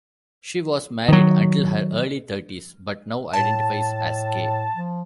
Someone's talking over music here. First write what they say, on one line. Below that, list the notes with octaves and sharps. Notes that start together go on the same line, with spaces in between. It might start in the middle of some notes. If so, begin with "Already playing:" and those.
She was married until her early thirties, but now identifies as gay.
D#3 F#3
A2 A5
F3